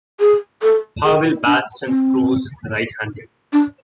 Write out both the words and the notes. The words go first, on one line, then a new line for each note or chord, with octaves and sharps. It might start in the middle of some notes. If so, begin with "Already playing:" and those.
Harville bats and throws right-handed.
G#4
A4
G#4
E4
D4
C4
D4